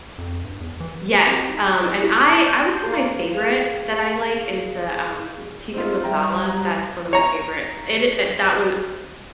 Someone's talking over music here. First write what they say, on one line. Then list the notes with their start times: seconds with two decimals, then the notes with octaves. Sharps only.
Yes, um, and I I would say my favorite that I like is the, um, tikka masala. That's one of my favorite. It i uh, that one
0.18 F2
0.45 G2
0.60 E2
0.80 E3
1.26 C4 F#4 G4 D#5
1.49 D#4
1.77 D#5 A#5 D6 E6 A6
1.98 E4 A#6 C#7 E7
2.30 A5
2.48 G6
2.75 C6
2.87 A#3
3.31 G#4 F5
5.74 C4 D#4 F4
6.04 G3 E5 G5 A#5
6.49 A#5
7.13 C#5 A#5